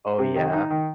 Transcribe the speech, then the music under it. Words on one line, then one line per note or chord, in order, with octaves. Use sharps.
Oh, yeah?
C3
D#3
D#4
D#3